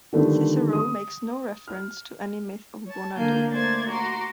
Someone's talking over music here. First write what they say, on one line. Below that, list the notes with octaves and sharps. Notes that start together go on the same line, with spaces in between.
Cicero makes no reference to any myth of Bona Dea.
D3 D#3 F3 G3 A3 B3
D#6
F6
C#5 A5
D3 A#3 F5 G#5 G6
A3 A#3 C5 D5 G#6 A6
F#4 A#5 C6 D6